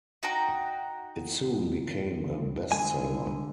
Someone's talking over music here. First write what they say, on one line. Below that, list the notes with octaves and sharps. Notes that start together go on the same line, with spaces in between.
It soon became a bestseller.
D#4 F#4 G5 A#5
D3 G#3 G#5